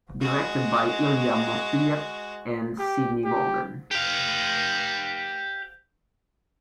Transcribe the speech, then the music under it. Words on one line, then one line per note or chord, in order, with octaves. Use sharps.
Directed by Ilya Motyleff and Sidney Goldin.
G#3 F#4
G4
G4
G4 F5